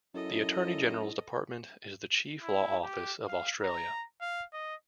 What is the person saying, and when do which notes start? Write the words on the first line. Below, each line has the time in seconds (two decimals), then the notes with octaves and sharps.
The Attorney-General's Department is the chief law office of Australia.
0.14 F#2 E4 A4 D#5
2.41 E4
2.84 G4
3.27 F5
3.63 A#5
4.21 F5
4.53 D#5